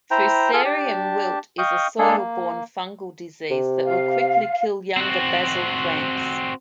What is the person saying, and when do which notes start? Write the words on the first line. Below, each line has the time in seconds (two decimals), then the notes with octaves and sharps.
Fusarium wilt is a soil-borne fungal disease that will quickly kill younger basil plants.
0.11 E4 C5 G5 A#5
0.53 F4 G#4 A4 F6
0.65 D4 G4 A5
1.58 D#5 F5 G5 C#6 D#6
1.99 G#3 A#3 D4 G#4 A4
2.17 A#3
3.51 C3
3.85 F5
4.97 C4 F#4